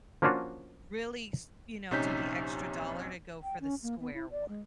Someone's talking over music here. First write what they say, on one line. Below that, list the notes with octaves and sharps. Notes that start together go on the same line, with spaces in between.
really s you know, do the extra dollar to go for the square one.
F3 A#3 C#4 D4 F4 F#4
A#1 C3 C#4 D#4 G6 B6
G5
C#4
A#3
B3
E4
D5
G#3